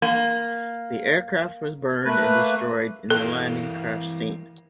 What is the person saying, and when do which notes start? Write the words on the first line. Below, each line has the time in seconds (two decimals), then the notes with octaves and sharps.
The aircraft was burned and destroyed in the landing crash scene.
0.02 A#3
2.05 A3 A#3 B4
3.10 E3 A#3 A4